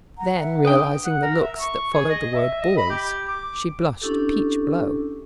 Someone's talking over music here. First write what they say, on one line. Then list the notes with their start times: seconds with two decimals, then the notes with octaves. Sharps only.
Then, realizing the looks that followed the word "boys," she blushed peach-blow.
0.18 F#5 A#5
0.40 E5
0.65 D4 B4 G5 D#6
1.05 F#5
1.23 A#4
1.41 E5
1.60 C#6
1.94 G#4
2.09 D#5
2.35 E5
2.61 D#5
2.77 B5
2.90 G4
3.28 D6
4.01 C#4 D4 E4 G4 A4